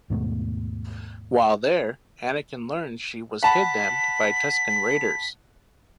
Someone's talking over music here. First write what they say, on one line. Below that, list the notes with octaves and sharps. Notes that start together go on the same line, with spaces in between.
While there, Anakin learns she was kidnapped by Tusken Raiders.
D#2 G#2 B2 A3
F#5 A5 B5 B6